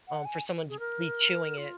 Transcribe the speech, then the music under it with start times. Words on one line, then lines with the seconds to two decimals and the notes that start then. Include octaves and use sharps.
um, for someone to be chewing it.
0.08 F#5
0.25 G#5
0.69 G#4
0.79 A#4
1.58 F4